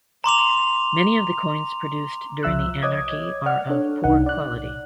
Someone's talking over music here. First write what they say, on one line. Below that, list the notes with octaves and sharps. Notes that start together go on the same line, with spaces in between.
Many of the coins produced during the Anarchy are of poor quality.
A#5 C6 D6 F7
C2 F3 E5 E6 F#6
C#5 D#5 D6 D#6 G#6
D5 F#5 F6
D4 A4 C#5
C2 D#4 F#5
D5 F#6